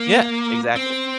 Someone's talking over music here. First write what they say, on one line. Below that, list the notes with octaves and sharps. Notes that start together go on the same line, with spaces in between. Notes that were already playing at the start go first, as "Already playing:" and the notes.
Yeah. Exactly.
Already playing: A#3
C4